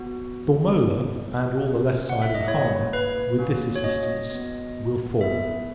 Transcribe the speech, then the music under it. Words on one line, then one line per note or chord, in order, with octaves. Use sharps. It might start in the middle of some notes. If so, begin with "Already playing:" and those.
The Bormola, and all the left side of the harbour, with this assistance, will fall.
Already playing: B3 F#4
B3 D#4 G#4
C#4 G#4
F#5
E5
D#5
A#3 E4 G#4 C#5
B4
A#3 C#4 F#4
C#5
D#5
B3 F#4
B3 E4 G#4 E5